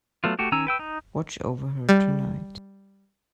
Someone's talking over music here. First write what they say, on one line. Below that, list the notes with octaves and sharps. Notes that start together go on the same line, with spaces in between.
Watch over her tonight.
F#3 A3 B3 F4
A3 F#4 G4
D#3 C#4 G#5 A#5 E6
B4 G5 E6
D#4
G3